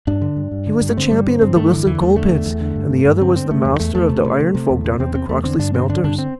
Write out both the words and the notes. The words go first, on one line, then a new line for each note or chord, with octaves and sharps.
He was the champion of the Wilson coal-pits, and the other was the Master of the iron-folk down at the Croxley smelters.
G2 D4
D3
G2
G2
D3
G2
A3
D3 C4
G2 G3
D3 C4
G2 C4
G2 A3
D3 E3
E2 E3
E2 A3
D3 A3
E2
E2
D3
G2
G2
G2
D3 C4
D3 C4
G2 A3
E2
E2 A3
E2 A3
C3
C3
C3
C3
E2
C3
E2 C4
C3 C4
E2 A3
D3 C4
G2 D4
D3 C4
D3 D4
G2 D4
C4